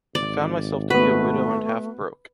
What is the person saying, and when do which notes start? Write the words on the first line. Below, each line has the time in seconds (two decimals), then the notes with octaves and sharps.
I found myself to be a widow and half broke.
0.15 G#1 D5
0.90 A3 B3 F#4 B4